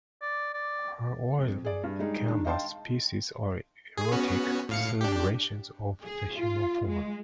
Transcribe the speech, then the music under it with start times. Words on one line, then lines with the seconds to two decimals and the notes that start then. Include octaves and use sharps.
Her oil on canvas pieces are erotic celebrations of the human form.
0.22 D5
0.54 D5
1.39 F2
1.65 G#4 D5
1.83 G2
1.99 G3 G#3 D#4 G#4
2.28 D#3 D4
2.45 D#5 F5 G5 A5 C6
3.97 G#4
4.12 B3 C#4 F#4
4.69 A2 F5 C#7
5.01 D4 G4
6.03 G#4
6.35 F4
6.86 G#3